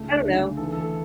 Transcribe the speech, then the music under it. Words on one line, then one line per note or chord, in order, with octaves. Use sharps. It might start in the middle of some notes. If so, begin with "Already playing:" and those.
I don't know.
Already playing: C#2 A3
D3
E3 A4
A4